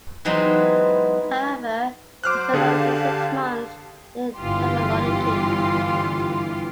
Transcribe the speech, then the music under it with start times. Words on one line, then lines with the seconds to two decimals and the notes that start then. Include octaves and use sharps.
However, he spent only six months in Thessaloniki.
0.25 E3 F#3 G#3 B3 C4 D#4
2.24 F#3 C5 D6 F6 F#6
2.54 D3 G4 G#4 F5 A5
4.36 G1 E3 F4 G4 C6